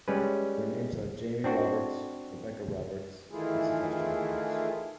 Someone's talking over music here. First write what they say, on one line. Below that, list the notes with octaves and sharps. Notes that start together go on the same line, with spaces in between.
Their names are Jamie Roberts, Rebecca Roberts and Sebastian Roberts.
G3 G#3 C#4 B4
C4 D4 F#4
D#3 E3 A3 E4 F4 G#4